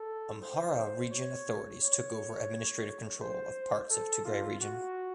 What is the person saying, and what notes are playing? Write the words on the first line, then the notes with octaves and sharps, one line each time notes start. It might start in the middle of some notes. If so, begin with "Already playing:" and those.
Amhara Region authorities took over administrative control of parts of Tigray Region.
Already playing: A4
C5
C#5
C#5
C5
A4
F4
F#4